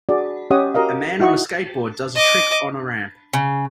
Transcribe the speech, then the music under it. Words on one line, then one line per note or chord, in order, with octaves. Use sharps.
A man on a skateboard does a trick on a ramp.
D4 F#4 G#4 D5
C#4 G4 C#5 D#5 F#5 D#6
F#4 G4 A#4 D#5 F5
D#4 E4 F#4 D#5 C#6
D#5 D6
C#3